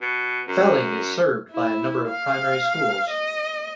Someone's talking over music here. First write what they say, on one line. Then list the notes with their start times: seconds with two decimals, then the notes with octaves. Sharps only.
Felling is served by a number of primary schools.
0.02 B2
0.48 F#2
1.51 E4
2.09 F5
3.10 D#5